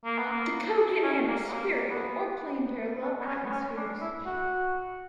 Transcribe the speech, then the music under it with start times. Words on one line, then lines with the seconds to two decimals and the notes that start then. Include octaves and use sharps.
The code can handle spherical or plane-parallel atmospheres.
0.05 A#3
0.18 B3
0.31 A#3
1.03 C#4
1.28 A#3
1.49 B3
1.53 A#3
1.90 B3
3.02 B3
3.20 B3
3.27 C#4
3.46 B3
3.52 C#4
3.77 D4
4.01 E4
4.26 F#4